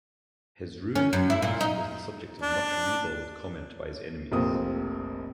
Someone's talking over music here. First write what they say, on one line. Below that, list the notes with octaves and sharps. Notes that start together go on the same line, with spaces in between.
His ruined nose was the subject of much ribald comment by his enemies.
C#4
F#2
E4
A#2
D#4
D4
F1 A#1 A#3 C4 D#6